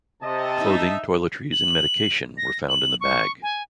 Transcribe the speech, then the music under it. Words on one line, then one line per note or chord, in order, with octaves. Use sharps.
Clothing, toiletries and medication were found in the bag.
C3 D#5 A5
D#4 E5
F#7
A#6
F#7
C#6
G#5